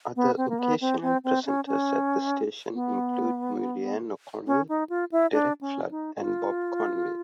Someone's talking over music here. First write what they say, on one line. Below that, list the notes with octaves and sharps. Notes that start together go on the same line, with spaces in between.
Other occasional presenters at the station include Muireann O'Cononell, Derek Flood and Bob Conway.
B3
C4
A#3
B3
C4
C4
C4
C#4
C#4
B3
C#4
D#4
F4
E4
D4
C#4
D#4
F4